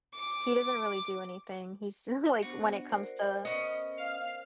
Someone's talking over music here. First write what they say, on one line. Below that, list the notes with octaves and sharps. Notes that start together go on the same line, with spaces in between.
he doesn't really do anything, he's just like when it comes to sh
D6
B3 D4 F#4 C5
A#4 C5 D5
B3 C#4 D#5
F5 F6